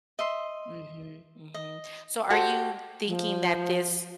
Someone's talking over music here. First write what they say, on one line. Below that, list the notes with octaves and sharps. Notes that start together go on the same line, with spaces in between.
Mhm, mhm. So, are you thinking that this
D#5 E5 C6
D#5
F#4 G4 A4 C5
F3